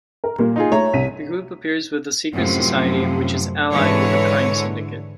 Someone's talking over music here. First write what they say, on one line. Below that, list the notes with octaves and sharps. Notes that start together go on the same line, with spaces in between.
The group appears with the Secret Society, which is allied with the Crime Syndicate.
A#4
A#2 G3 A#3
D#4 F4 G#4
A3 C#5 A#5
C2 B6 D#7
F#2 A2 C3 F3
G#2 D3 E3 C#5